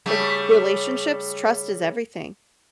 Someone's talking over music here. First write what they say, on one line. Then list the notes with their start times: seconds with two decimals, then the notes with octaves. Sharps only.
r relationships, trust is everything.
0.06 C#3 G3 A3